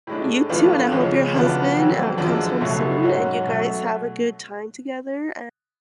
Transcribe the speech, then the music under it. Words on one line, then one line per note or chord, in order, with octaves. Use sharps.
You too, and I hope your husband, uh, comes home soon, and you guys have a good time together, a
A2 G#3 D4
A2 F3 B3 D4 F4
C#2 C#3 F3 G#3 C#4
C#3 F3 B3 D4 F#4
F2 D3 F#3
F#2 D3 F3 G#3 D4
C#2 B2 F#3 A3
G#2 F#3 C#4 F#4
B2 F#3 A3